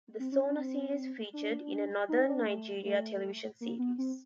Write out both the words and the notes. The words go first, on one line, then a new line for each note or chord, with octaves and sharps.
The Sauna series featured in a northern Nigeria television series.
C4
C#4
C#4
C4
D4
D#4
D4
A3
A3
A#3
B3
C4